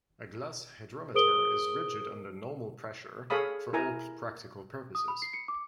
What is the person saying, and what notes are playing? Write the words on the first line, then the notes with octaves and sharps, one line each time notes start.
A glass hydrometer is rigid under normal pressure, for all practical purposes.
G#4 A#4 C5 D#6 D7 G7
G#4 A4 C#5 F5 B5 D#6
E4 A#4 G#5 A#5
D#6
B5
C7
C#7
D6